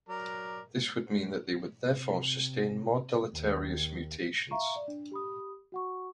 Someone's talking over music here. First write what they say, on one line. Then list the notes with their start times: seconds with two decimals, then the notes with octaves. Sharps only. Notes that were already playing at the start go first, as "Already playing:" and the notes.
This would mean that they would therefore sustain more deleterious mutations.
0.09 F#3 A#4 D5
1.92 C3
3.33 D#2
4.51 E5 F5 A#5 C#6
4.76 D5
4.88 D4
5.12 G4 B5 D#6
5.72 F#4 F#5 C#6